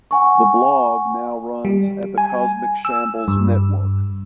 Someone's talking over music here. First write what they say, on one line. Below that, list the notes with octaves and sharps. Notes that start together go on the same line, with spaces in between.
The blog now runs at the Cosmic Shambles network.
F#5 G#5 C#6
G3
G#5
E6
G2